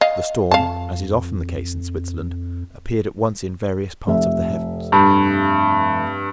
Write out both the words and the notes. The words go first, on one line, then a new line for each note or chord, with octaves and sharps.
The storm, as is often the case in Switzerland, appeared at once in various parts of the heavens.
D#5 F5
F2 F5 A5
F1 E5
G2